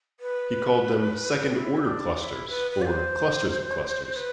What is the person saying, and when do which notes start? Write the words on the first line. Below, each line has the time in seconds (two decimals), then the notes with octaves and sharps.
He called them "second-order clusters", or clusters of clusters.
0.20 B4
1.51 G4
1.55 E4
1.84 D4
2.17 G4
2.22 E4
2.49 B4
2.71 B4
2.82 D5
2.85 C5
4.12 C5
4.16 B4